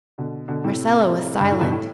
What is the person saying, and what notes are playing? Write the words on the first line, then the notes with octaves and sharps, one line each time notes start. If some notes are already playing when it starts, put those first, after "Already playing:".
Marcella was silent.
B2 D3
B2 D3
A2 C3
G2
A2
G2 B2
A2